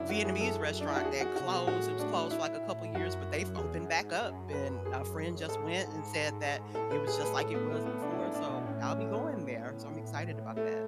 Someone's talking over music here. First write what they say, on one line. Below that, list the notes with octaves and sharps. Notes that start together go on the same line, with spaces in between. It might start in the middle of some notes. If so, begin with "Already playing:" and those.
Vietnamese restaurant that closed. It was closed for, like, a couple of years, but they've opened back up and a friend just went and said that it was just like it was before, so I'll be going there, so I'm excited about that.
Already playing: F#2 D4 E4
F#4
G#4
A4
D4
E4
F#4
E2 G#4
F#2 F#4
C#3 F#4
B2 G#4
A2 F#4
D4
E4
F#2 F#4
E2 G#4
F#2
G#2
F#2
B4
G#4
G#2 A4
A2 A4
B4
G#4
B4
A4
B3
A3
B3
B2 D4
E4
G#2 D4
A2 D4
B2
A2 C#4
C#4
A3
B3
A3